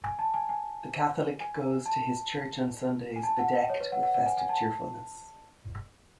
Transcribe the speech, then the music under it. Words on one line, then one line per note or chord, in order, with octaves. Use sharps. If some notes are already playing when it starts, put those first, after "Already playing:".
The Catholic goes to his church on Sundays bedecked with festive cheerfulness.
G#5
A5
G#5
G#5
G#5
A5
G#5
A5
F#5
D#5
C#5
B4
F#5
F#5
F#5
G#5
G#5
A5